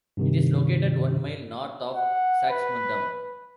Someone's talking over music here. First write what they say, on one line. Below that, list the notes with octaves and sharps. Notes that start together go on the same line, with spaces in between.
It is located one mile north of Saxmundham.
G2 C3 D#3
F#5
B4